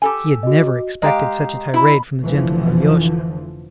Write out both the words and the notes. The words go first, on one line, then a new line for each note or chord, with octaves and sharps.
He had never expected such a tirade from the gentle Alyosha.
G4 A4 G#5
F#4 D#5
G#3 G4 D#5 F5 A#5
E4
F1 D3 E3 F3